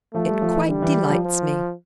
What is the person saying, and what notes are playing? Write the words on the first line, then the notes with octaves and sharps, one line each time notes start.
It quite delights me.
F3 A3
G3
F3
E3
D3 G3
E3
F3
F3